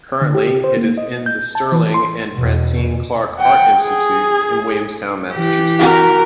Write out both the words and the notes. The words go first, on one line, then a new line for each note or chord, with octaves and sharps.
Currently it is in the Sterling and Francine Clark Art Institute in Williamstown, Massachusetts.
D3
G4
C5
A#3
D#5
G6
A5
E3
C6
E2 B2
F#5 G5
G#4
E3 G4
F#4 A#4